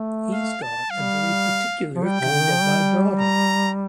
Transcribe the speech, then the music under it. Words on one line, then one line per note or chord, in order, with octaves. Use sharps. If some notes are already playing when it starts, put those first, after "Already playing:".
He's got a very particular kind of vibrato.
Already playing: A3
F5
A5
G3 F5
F3
G3 G5
C3
D3
D#3
F3
G3
A#5